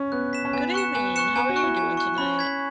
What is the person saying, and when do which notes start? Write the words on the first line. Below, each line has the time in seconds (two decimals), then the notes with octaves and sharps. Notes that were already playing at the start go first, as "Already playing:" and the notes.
Good evening, how are you doing tonight?
Already playing: C#4
0.12 B3 F#6
0.33 B6 E7
0.45 C#4
0.53 B3 G#5
0.74 C#6 F#6 C#7 E7
0.95 B3 G#5
1.16 C#6 F#6 C#7 E7
1.36 B3 G#5
1.49 F#4
1.56 C#6 F#6
1.63 E4
1.77 G#5
1.97 C#6 F#6
2.18 C#4 B5
2.39 G#6 B6 F#7